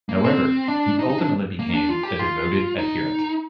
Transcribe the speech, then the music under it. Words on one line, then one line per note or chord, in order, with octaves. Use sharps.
However, he ultimately became a devoted adherent.
A#3
C4
D4
D#4
D#4
D4
A#3
D4
F4
G4
F4
D#4